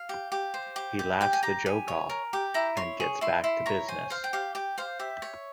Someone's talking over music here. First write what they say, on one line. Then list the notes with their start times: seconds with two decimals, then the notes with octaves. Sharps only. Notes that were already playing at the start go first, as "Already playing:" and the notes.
He laughs the joke off and gets back to business.
Already playing: F5
0.09 G4
0.32 G4
0.54 C5
0.76 G4
0.99 G4
1.21 G4 G5
1.33 G#5
1.43 G4 A#5
1.66 G4 G#5
1.88 C#5
2.10 A#4
2.33 G4
2.54 E4 A#5
2.77 C#5 C6
3.00 G#4 C#6
3.21 E4 C6
3.44 E4 C6
3.66 C#5 A#5
3.88 C5 G#5
4.10 C5 F5
4.24 G5
4.33 G4 F5
4.55 G4 G5
4.78 C5 F5
4.99 G4 E5
5.22 C#5